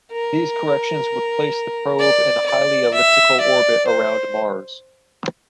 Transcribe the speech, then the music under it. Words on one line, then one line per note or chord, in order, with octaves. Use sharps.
These corrections would place the probe in a highly elliptical orbit around Mars.
A#4
D5
D5
E5
D5
C5